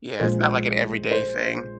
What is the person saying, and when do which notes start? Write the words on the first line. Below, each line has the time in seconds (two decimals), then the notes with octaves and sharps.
Yeah, it's not like an everyday thing,
0.20 A#1 A#2 G#3 C5
1.11 C5